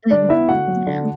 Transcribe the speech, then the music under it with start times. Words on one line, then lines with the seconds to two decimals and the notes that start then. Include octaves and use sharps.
Mhm, yeah.
0.10 D3 D4 D5
0.29 B3 E4 E5
0.48 D3 F#4 F#5
0.68 F#3
0.87 D3